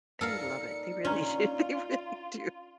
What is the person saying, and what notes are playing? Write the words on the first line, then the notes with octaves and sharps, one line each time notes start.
They love it, they really do they really do,
A#2 D#4 A4 A#4 D5 F5 C#7
C#4 D4 F4 A#5